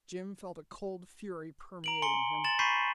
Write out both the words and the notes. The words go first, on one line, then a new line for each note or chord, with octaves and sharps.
Jim felt a cold fury permeating him.
A#5 D7 F#7
G#5 A#5 C6 C#7 G7
C6 A6 E7 F#7
B5 C#6 G6 B6 C7 D#7